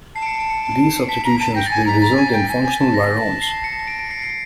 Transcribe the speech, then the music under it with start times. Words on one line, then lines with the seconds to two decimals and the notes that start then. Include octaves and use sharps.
These substitutions will result in functional virons.
0.15 A5 C7
0.22 D7
0.26 C#7
0.39 D7
0.50 C#7
1.08 A5 B6
1.24 A#5
1.40 A5
1.55 G5 A#6
1.66 A6
1.70 G#5
1.78 A6
1.86 A#5 B6
2.02 A#5 A6
2.16 G#5
2.32 G5
2.49 G#5
2.63 G#5
2.80 A5
2.94 A#6
3.18 A5
3.42 C7
3.64 C#7
3.87 D7
3.99 D7
4.11 C7
4.22 C7